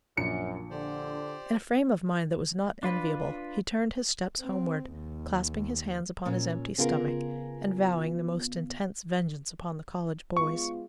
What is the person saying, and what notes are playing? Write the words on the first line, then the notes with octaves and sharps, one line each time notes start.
In a frame of mind that was not enviable, he turned his steps homeward, clasping his hands upon his empty stomach, and vowing the most intense vengeance upon the college boys.
A#1 F#2 C#7
D3 G4 C5 D5
D4 F4 B4
C4
D#2
A#2 C#4
C#3 B3 F4 G#4 A#4
G#3 B3 F4 C#6